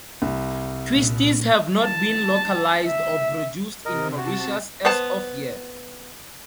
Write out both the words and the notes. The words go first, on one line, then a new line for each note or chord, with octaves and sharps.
Twisties have not been localised or produced in Mauritius as of yet.
C2
A#2
A5
E5
C3 A#4 D#5
F#4 A5
B3 C5 F#5 A5